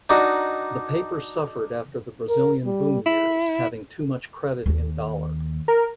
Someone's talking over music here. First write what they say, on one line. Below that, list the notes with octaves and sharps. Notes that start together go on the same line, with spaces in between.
The paper suffered after the Brazilian boom years having too much credit in dollar.
D4 D#4 F#4
A#4
G3
E4
D#2 A#3
A#4